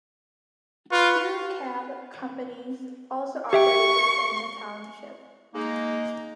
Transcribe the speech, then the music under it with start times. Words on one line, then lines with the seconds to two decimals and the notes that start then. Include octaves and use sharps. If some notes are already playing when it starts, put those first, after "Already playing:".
Two cab companies also operate within the township.
0.91 F4 B4 C#6
3.53 G4 E5 G5 C#6
5.55 G#3 A#3 D#4